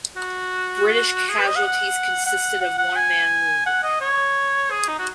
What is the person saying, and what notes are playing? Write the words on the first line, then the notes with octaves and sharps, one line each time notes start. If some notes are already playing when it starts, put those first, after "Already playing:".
British casualties consisted of one man wounded.
F#4
G#4
B4
D#5
F#5
F#5
F#5
F#5
G#5
F#5
D#5
C#5
G#4
D#4
F#4